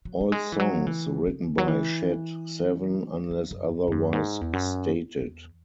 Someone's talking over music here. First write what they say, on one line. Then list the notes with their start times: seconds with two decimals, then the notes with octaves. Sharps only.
All songs written by Shed Seven, unless otherwise stated.
0.05 F#3
0.21 F#3
0.32 G#3
0.52 E3
0.60 F#3
0.87 E3
1.27 C#3
1.58 F#3
1.68 E3
3.31 F#3
3.51 F#2
3.88 G#2
3.92 F#2
4.13 G#2
4.41 E2
4.53 F#2
5.21 E2